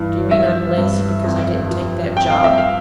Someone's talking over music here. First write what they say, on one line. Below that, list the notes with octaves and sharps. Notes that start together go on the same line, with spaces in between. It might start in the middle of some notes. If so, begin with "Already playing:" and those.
"Do you mean I'm lazy because I didn't take that job?"
Already playing: G2 E3
G2 E5
G2
F2
F3
F2 G5
F5
E5
F5